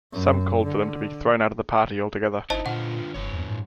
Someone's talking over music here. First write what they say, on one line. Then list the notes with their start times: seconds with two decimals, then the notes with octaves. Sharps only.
Some called for them to be thrown out of the party altogether.
0.12 F#2
0.64 D3
2.50 G1 D#4 E4 C5 D#5 A5
2.66 A#2 D3 F4 F#5
3.15 F#1 G2 C#5
3.33 E2
3.48 A2